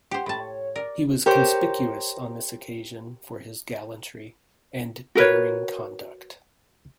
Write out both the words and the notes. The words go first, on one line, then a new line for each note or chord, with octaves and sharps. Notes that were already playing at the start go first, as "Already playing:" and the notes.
He was conspicuous on this occasion for his gallantry, and daring conduct.
G4 C5 F#5
A2 A5 B5
C#5
A#4 D5
G4 A#4 C5 C#5
F#4 A#4 B4 C#5